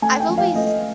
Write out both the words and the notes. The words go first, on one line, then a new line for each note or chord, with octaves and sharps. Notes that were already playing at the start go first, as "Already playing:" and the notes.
I've always
A3 G#5
G5
F3
F5
A3 D#5